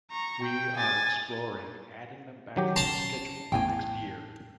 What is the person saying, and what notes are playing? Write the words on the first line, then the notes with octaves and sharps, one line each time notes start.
We are exploring adding them back to the schedule next year.
A#5 C#6
G5
G#5 A6
D#3 F#3 G4
C#4 A5 A#5 C6
A1 E2 G5 G#5